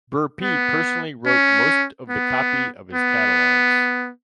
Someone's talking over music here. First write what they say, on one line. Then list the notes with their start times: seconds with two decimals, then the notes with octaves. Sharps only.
Burpee personally wrote most of the copy of his catalogs.
0.42 B3
1.26 C#4
2.10 B3
2.93 B3